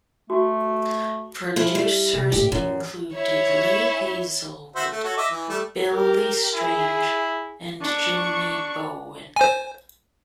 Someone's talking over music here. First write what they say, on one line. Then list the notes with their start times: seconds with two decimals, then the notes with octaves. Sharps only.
Producers included Lee Hazlewood, Billy Strange and Jimmy Bowen.
0.30 A3 F#4
1.56 F3 E4 F4
1.75 G3
2.13 C3
2.32 G#1 A2 G4
2.52 F#2 E3
3.14 E4 C#5
4.76 F#4 C5 E5
4.90 A3
5.04 F#4 A4 C#5
5.17 D#5 E5 D6
5.30 E3
5.49 G3 A3
5.90 G4 A#4
6.55 E4 G#4
7.82 D4 C#6
9.36 C5 G#5